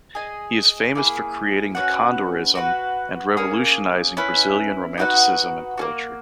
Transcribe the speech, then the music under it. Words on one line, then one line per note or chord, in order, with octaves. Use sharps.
He is famous for creating the "Condorism" and revolutionizing Brazilian Romanticism and poetry.
G#4 D#5 G#5
A#3 E4 G#4
C#4 F#4 B4 F#5
F#4 B4 F#5
A#3 C#4 G#4
C#4 E4 B4
D#4 F#4 B4 F#5
A#3 C#4 F#4